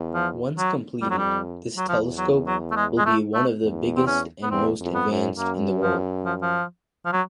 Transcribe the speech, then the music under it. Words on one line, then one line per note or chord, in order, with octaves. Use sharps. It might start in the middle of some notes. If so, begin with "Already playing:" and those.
Once completed, this telescope will be one of the biggest and most advanced in the world.
Already playing: E2
F3
F#3
F2 G3
F#3
G3
F#3
E2 F3
F#3
F#3
A3
G#3
G#3
A3
A3
E2
C4
C#4
B3
E2 C4
F2
B3
F#2
F#2 A#3
F3
F3
F3
F3
F#3